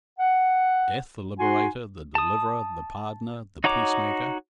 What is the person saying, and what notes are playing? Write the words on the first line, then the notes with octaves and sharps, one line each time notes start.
Death the liberator, the deliverer, the pardoner, the peace-maker!
F#5
D#4 F#4 F#5 G#5 C6
A5 D#6
D#4 F#4 C#5 A#5 D6